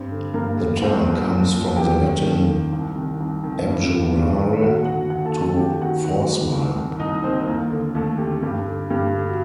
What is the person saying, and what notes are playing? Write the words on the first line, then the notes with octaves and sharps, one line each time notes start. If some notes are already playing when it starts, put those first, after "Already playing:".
The term comes from the Latin "abjurare", "to forswear".
Already playing: G2 C4 C5
D3
G2 A#3 A#4
D3
C2 C4 C5
A#2
C2
A#2
D#2 G4 G5
D#3
D#2
D#3
C2
C3 D#3
C2
C3 D#3
G2
D#3
G2
D#3
D#2 F#4 F#5
F#4 F#5
D3 F#4 F#5
D#2 F#4 F#5
A4 A5
D3
A4 A5
D#2 G4 G5
D#3 F#4 F#5
D#2 F#4 F#5
D#3
C2
C3 D#3
C2 D#4 D#5
C3 D#3 C4 C5
D#2 A#3 A#4
D3
D#2 A3 A4
D3 G4
G2 G4
D3
G2 G4
D3
F#4